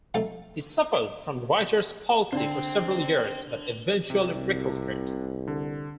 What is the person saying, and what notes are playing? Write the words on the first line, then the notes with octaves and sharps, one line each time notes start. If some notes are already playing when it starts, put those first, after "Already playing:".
He suffered from writers' palsy for several years, but eventually recovered.
C2 F3 A3 D#4 A4 A5
D3 C5 G5
C2 C3
D3